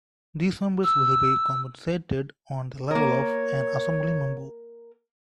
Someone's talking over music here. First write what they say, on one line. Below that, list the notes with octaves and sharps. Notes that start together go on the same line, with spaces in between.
These members will be compensated on the level of an Assembly member.
E6
A#3 A#4 C#5